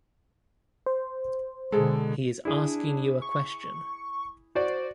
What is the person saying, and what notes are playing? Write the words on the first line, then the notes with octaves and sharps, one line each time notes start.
He is asking you a question.
C5
B2 D3 G#3 G#4 A4 A#5
D4 E4 G#4
C#6
F#4 C5 D5